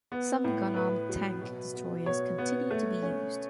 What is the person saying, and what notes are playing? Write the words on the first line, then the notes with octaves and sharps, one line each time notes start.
Some gun-armed tank destroyers continue to be used.
B3
A2
A2 B4
F#3
B2
B3
B2 C#5
B3
A3
C#4